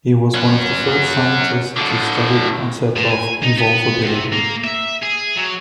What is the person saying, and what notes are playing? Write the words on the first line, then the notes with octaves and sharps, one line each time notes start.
He was one of the first scientists to study the concept of evolvability.
C#4 F#5
A2 D3
A2
G#5
D#4
B3
C3
A#3
E5
G#4
F#3